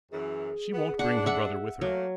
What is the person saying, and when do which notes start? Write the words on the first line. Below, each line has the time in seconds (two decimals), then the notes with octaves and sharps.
"She won't bring her brother with her."
0.11 F#2 E3 G#4
0.73 B3
0.99 D4 F#5
1.26 E5 F#5
1.81 F#3 A3 A#3